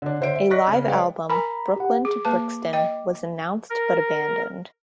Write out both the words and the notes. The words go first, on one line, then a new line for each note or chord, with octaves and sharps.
A live album, "Brooklyn To Brixton", was announced but abandoned.
D3 D4
D3 C5 E5 D7
E5
D5 D#5 C#6 F#6 A#6 B6
C#3 C#4 C#5
G#3 B4 C#5 D5 F5 G5
A#4 G#5 A#5 B5
G4 F#5
G#4 D6
A#3 B4 A5
D#5 G5
A#4